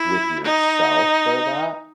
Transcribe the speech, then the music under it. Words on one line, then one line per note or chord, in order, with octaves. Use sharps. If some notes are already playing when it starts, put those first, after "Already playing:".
with yourself for that
Already playing: E4
D#4